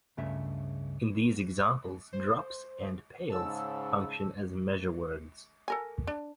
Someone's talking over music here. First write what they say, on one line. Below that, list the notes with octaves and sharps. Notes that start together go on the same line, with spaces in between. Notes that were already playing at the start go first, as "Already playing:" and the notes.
In these examples, "drops" and "pails" function as measure words.
C#2 G2 C#3 A3 E5
C5
G#2 C#3 A5 E6
A4 A#4 G#5
D4